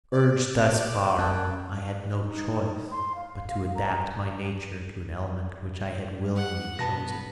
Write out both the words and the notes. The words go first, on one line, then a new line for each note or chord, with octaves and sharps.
Urged thus far, I had no choice but to adapt my nature to an element which I had willingly chosen.
D5
F#2 A5 F#6
D#4
C6
F5
A#5
F#5
B2 B3 A5 A#6